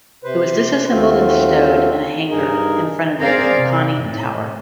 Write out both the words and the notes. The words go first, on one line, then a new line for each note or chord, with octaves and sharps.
It was disassembled and stowed in a hangar in front of the conning tower.
C3 B4 C5
D#2 A3 C4 F4 F#4
G2 D#4 G#4 A#4
C4 G#4 A#4 C5 D5 F5
C3
A2